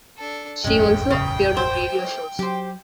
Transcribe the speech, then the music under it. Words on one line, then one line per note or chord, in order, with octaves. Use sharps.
She also appeared on radio shows.
D4 A4
E1 A1 F#2 G#3 C#4 G5
C#3
C5
F#3 G4 C5